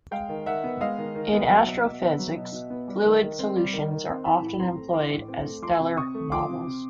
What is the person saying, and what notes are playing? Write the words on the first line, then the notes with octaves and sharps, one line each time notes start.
In astrophysics, fluid solutions are often employed as stellar models.
G#3 F5 G5
D#3
D#3 E5 F#5
B3
G#3 D#5 F5
D#3
D#3
B3
F#3 E5 F#5
B2
B2
B3
F#3
B2
B2
B3
G3
D#3
D#3
C4
G3
D#3
D#3
C4
E3 A5 B5
A2
C4 A#5 C6
A3
E3 C6 D6
A2
C4
A3
F3 C6 D6
C3
C3 C#6 D#6
A3
F3 C6 D6
C3
C3